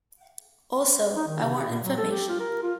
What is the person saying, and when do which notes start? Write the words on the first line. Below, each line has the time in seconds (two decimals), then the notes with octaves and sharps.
Also, I want information.
1.16 D#4
1.27 D#3
1.42 C3
1.55 G4
1.68 A#2
1.84 F#3
1.98 A4
2.10 G4
2.29 F4
2.40 A#4
2.63 F4